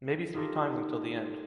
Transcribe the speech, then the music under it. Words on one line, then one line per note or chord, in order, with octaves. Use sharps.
Maybe three times until the end.
D#4 F4 G4 A4 A#4